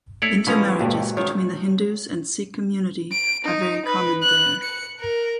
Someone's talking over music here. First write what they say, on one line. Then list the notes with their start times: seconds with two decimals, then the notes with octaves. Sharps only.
Intermarriages between the Hindus and Sikh community are very common there.
0.22 A3 E4 C#5 D5
0.47 B2 E3 C#4 F4 A4 B4 C5 A#5
0.64 G4 A4
0.79 C#2 G2 A#2 G#3 F#4
1.17 F#2 D#3 E3 C#5
3.12 D7
3.44 D#4
3.86 B4
4.22 F#6
4.63 C#7
5.00 A#4